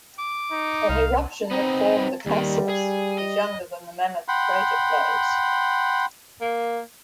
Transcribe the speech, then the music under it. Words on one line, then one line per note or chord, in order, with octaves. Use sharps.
An eruption that formed The Castles is younger than the Mammoth Crater flows.
D6
D#4
C2 F5
B3 C4 D#4
D#2 D#3 G3
G#4
D#5
F#5 G5 B5 C6
A#3